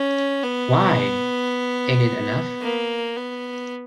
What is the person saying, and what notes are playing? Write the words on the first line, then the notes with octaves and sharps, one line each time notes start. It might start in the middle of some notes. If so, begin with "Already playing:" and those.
Why! — ain't it enough?
Already playing: C#4
B3
A#3
B3